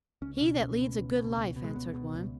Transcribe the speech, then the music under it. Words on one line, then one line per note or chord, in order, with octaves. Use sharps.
"He that leads a good life," answered one.
C#2 C#4
B2 C#4
C#2
B2
C#2
B2
C#2
B2
G#3
C#2 B3
B2
C#2